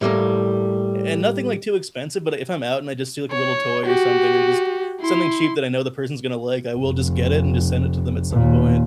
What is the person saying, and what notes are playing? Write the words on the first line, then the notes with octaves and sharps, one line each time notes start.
A and nothing like too expensive, but if I'm out and I just see like a little toy or something, or just something cheap that I know the person's gonna like, I will just get it and just send it to them at some point.
A2 G3 A3 A#3
C#5
F#4 G4
E4 C6
F1
D#2 A#2